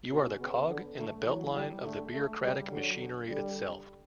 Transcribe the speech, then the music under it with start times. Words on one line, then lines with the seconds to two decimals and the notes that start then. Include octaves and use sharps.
You are the cog and the beltline of the bureaucratic machinery itself.
0.10 B2 C#4
0.39 C#3 B3
0.68 D3
0.97 D3 A3
1.26 E3 F#3
1.54 G3
1.84 D3 A3
2.13 A3
2.42 C#3 G3
2.70 D3 F#3
3.28 D3 G3